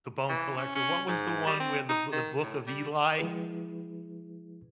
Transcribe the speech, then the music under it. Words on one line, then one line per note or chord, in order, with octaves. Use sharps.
The Bone Collector, what was the one where, The Boo The Book of Eli?
E3
C#4
C#4
G#2
G3
C4
D#4
D#3
A2
G3
F3 G#3 E4 G#4 B4